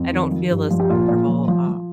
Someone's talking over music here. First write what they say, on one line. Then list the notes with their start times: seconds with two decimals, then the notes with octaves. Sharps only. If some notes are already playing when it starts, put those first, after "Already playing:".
I don't feel as comfortable, um
Already playing: F2
0.13 D#3
0.31 F3
0.50 G2
0.70 F3
0.80 G4
0.90 A#2 F4
1.08 A#2
1.28 F3
1.48 F3
1.67 F3